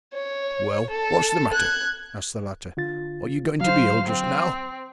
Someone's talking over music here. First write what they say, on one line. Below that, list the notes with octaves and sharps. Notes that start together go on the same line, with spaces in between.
"Well, what's the matter?" asked the latter, "are you going to be ill just now?"
C#5
A4
F#6 G#6
D3 F4 A6
D3 F#3 C5 F5
C4